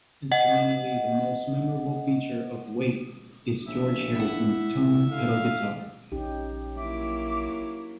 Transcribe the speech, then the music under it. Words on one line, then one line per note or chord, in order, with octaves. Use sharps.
Instrumentally, the most memorable feature of "Wait" is George Harrison's tone pedal guitar.
D#5 F#5
A#1 E5
E4 F#5
D3 F5
A#1 C#4 D#4 G4
F#3 A#3 E4 E5 D6